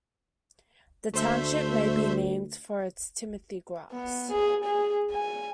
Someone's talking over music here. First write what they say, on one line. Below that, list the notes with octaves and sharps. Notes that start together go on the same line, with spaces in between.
The township may be named for its Timothy-grass.
D2 A3 C5 E5
B3
G#4
G#4
G#5